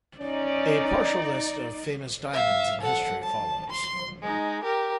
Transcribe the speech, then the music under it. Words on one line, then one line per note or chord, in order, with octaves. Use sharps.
A partial list of famous diamonds in history follows.
C#4 D#4 D5
E5 F5
A4 F#5
A5
C6
G#3 D#4
G4 A#4